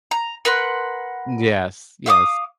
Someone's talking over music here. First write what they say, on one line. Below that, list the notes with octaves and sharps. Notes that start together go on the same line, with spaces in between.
Yes, yes.
A#5
A#4 B4 F#5 C6
E5 F5 D6 D#6